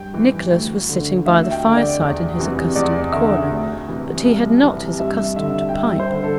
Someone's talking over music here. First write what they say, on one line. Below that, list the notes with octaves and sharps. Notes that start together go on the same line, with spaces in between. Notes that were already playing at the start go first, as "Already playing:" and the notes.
Nicholas was sitting by the fire-side in his accustomed corner: but he had not his accustomed pipe.
Already playing: G2 G5
E3
D2
D3
D2 E5
G5
D3
D5
E2
C3 E3
E2 D5
D3 E5
D2
C3 E3
C2
C3 E3
G2 E5
D3 E5
G5
G2 E5
C5
D3
A4